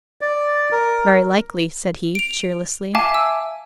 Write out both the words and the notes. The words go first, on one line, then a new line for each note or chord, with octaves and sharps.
"Very likely," said he cheerlessly.
D5
A#4
D7 F7
E5 F5 G#5 A5 D6
E6